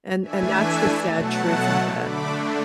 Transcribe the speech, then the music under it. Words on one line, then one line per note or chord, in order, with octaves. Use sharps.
and and that's the sad truth of it.
E3 A3 D4 E5 G#5
B2 F#3 A3 F#5 A5
D3 A3 D4 B5 D6